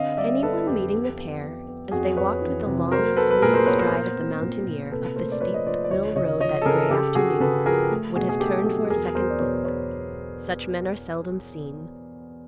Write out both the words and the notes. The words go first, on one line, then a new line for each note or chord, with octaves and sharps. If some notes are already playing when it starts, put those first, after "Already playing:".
Anyone meeting the pair, as they walked with the long swinging stride of the mountaineer up the steep mill road that gray afternoon, would have turned for a second look; such men are seldom seen.
Already playing: D3 C4 D#5 F5
G3 D5 E5
B3 A4 B4
F2 G4 A4
B3
B3
B3
B3
F2 F#4 G#4
F2 B4 C#5
E3
C3
F#3 A#4 C5
B3 A4 B4
B4
A#2 G#4 A#4
A#4 C5
B3 B4 C#5
A#4 C5
A#2
C4
A#2
A#2
C3 A4 B4
A3 A#4 C5
D5
F3 B4 C#5
D#5
F3 C5 D5
D5
D2 C#5 D#5
C#3 C#5 D#5
F3 C#5 D#5
A4
C#3 G#4 A#4
C#3 G4 A4
C#3 F#4 G#4
C#3 A4 B4
F3 G#4 A#4
A3
B2 F#4 G#4
G#4
A3 G4 A4
F#3 G4 A4
E2 G#4 A#4
E2 A#4 C5
D5
B2 B4 C#5
C5
B4 C#5